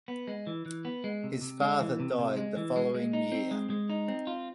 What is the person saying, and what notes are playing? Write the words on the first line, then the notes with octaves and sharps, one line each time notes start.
His father died the following year.
B3
G#3
E3
E3
B3
G#3
C3
C3
G#3
E3
C3
C3
G#3
E3
G#3
G#3
D#4
C4
G#3
G#3
D#4
C4
F4